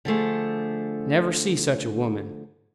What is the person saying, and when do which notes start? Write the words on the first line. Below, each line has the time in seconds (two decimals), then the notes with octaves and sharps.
I never see such a woman.
0.05 D3 F3 A3 G#4